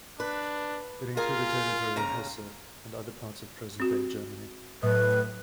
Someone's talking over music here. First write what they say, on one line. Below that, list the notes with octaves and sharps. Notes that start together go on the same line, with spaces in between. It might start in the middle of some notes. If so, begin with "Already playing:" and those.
It included territory in Hesse and other parts of present-day Germany.
D4 B4
F4 G#4 A#4
D#2 C#3 A#5
C4 F#4
A2 F#3 B4